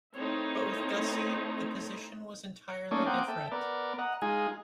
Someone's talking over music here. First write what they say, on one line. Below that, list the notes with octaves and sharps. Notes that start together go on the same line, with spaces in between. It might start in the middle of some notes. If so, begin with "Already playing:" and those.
But with Gussie, the position was entirely different.
D#3 A3 C4 D#4 E4 C#5
A3 A#3 C#4 D#4 C#5 D5
A#3 C4 F#5 G5 D6 D#6
A4 E5 G5
B3 A#4 D5
D#5 F#5 A#5
G#3 D#4 F4 G#4 G#5